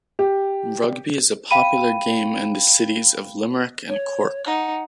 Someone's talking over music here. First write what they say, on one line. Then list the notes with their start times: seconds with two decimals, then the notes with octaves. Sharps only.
Rugby is a popular game in the cities of Limerick and Cork.
0.19 G4
1.51 F5 G5 B5 D#7
3.89 C#5
4.46 D#4 F#5